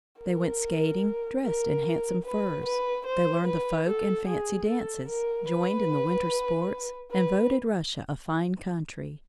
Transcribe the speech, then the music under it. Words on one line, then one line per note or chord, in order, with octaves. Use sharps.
They went skating, dressed in handsome furs; they learned the folk and fancy dances, joined in the winter sports, and voted Russia a fine country.
A#4
A#4
B4
B4
C5
B4
A4
G#4
A4
A#4
B4
B4